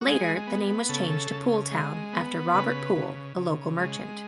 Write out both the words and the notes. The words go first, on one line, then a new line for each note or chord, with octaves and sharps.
Later, the name was changed to Pooltown after Robert Pool, a local merchant.
F#4
G#3 G#4
B3
C#3 A4
C#3
G#3
B3
C#3 B4
C#3
C#3
G#3